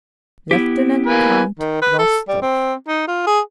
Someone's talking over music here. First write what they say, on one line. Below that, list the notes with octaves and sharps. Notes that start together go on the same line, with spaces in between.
"Lieutenant Count Rostov."
B3 E4 G4
A#3 B4 G#5
D#3
B4
A4
G3
C4
D#4
F4
G#4